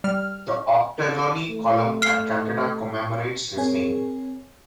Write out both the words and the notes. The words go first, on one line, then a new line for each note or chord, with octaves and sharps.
The Ochterlony column at Calcutta commemorates his name.
G3 F6
A3
F6 C7
C4 G#4 A#4 C#5 G#5